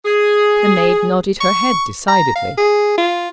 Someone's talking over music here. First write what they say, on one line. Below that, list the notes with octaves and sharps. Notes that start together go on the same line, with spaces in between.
The maid nodded her head decidedly.
G#4
C#6
A#5
F5
G#4
F4